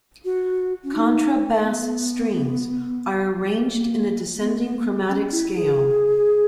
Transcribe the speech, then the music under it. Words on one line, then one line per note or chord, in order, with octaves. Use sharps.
Contrabass strings are arranged in a descending chromatic scale.
F#4
C#4
D#4
B3
A#3
B3
B3
A#3
B3
C#4
E4
G#4